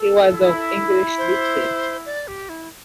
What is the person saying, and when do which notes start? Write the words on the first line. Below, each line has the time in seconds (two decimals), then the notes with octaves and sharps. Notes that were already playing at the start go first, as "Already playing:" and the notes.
He was of English descent.
Already playing: A4
0.30 E4
1.18 C5
2.06 D5
2.28 G4
2.49 E4